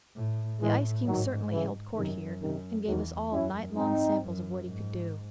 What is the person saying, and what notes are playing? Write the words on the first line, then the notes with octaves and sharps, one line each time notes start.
The ice king certainly held court here, and gave us all night long samples of what he could do.
A2
A2 E3 G#3
G#2 D#3 F#3
C#3 E3
F#2 C3 D#3
F#2 C3 D#3
E2 D#3 F#3
F#2 C#4 E4
G#2 C4 D#4
F#2
G#2